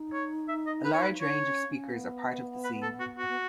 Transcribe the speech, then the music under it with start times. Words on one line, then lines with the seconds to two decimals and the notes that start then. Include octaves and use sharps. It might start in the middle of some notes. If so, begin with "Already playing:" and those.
A large range of speakers are part of the scene.
Already playing: D#4
0.13 C#5
0.49 E5
0.67 D#5
0.85 B4
0.94 C#5
1.03 B4
1.21 D#4 C#5
1.44 C#4
1.69 C#4
1.92 B3
2.64 B4
2.82 A4
3.00 F#4
3.19 F#4
3.29 B3